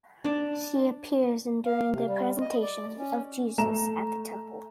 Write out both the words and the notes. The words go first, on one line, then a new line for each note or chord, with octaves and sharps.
She appears in during the presentation of Jesus at the Temple.
D4 D5
F5
C3
G3
D#5
D5
C#4
A3 A#5 E7